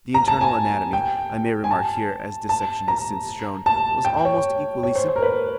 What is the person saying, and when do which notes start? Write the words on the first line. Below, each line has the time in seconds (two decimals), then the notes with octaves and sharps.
The internal anatomy, I may remark here, as dissection has since shown, was almost equally simple.
0.14 A#5
0.28 A5
0.41 G#5
0.93 G5
1.64 G#5
1.71 A5
2.49 A5
2.88 A#5
3.66 A5
4.05 G5
4.25 C#5
4.83 C#5
4.95 C5
5.08 C5
5.16 A#4
5.22 B4